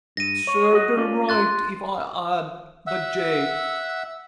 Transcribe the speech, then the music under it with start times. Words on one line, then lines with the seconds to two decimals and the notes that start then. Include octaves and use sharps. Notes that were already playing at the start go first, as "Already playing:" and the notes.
Served her right if I had, the jade!
0.17 G2 A#6 D#7
0.47 C#5
0.73 F#4 D#5
0.97 C#4 F4 D5
1.29 C6 F#6 A6
2.87 E5 F#5 E6